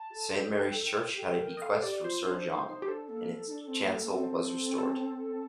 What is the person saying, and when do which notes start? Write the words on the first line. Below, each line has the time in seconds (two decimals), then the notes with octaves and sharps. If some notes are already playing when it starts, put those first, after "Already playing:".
Saint Mary's Church had a bequest from Sir John, and its chancel was restored.
Already playing: A5
0.10 G4
0.14 A4
0.30 A5
0.35 G5
0.98 A#4
1.13 G4
1.20 A4
1.40 A#4
1.57 D#5
1.61 A4 F5
1.82 G4 D5
2.04 F4 C5
2.25 D4
2.46 D#4
2.67 D#4
2.82 G4
2.88 D4 A4
3.09 A#3
3.47 D#4
3.51 D4
3.68 C4
3.83 A#3
3.98 A#3
4.11 D4
4.15 C4
4.78 A4